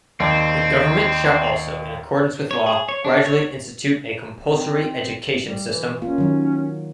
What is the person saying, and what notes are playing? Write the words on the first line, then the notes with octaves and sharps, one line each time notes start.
The government shall also in accordance with law, gradually institute a compulsory education system.
D#2 C4 D5 D#5 A5
C#5
G#4
C#5
D4
C#5
C4
G3
E3
A#3 C#4 F4
D#3 F#3